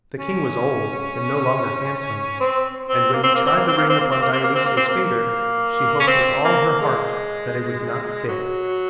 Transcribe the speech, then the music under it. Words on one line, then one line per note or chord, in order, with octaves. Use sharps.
The king was old and no longer handsome, and when he tried the ring upon Dionysia's finger she hoped with all her heart that it would not fit.
C#4
C4
C4
A#3
C4
A#3
C4
A#3
C4
A#3
C4
A#3
C4
A#3
C4
A#3
C4
A#3
C4
A#3
C#4
C4
A#3
G#3
F#3